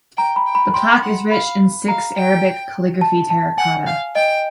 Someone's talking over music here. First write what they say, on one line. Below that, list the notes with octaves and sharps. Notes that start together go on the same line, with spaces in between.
The plaque is rich in six Arabic calligraphy terracotta.
G5 A#5
B5
G5
B5
G5 C6
F#5
F5 B5
F5 A#5
G5
A5
A5
F#5 G#5
F5
D#5 G5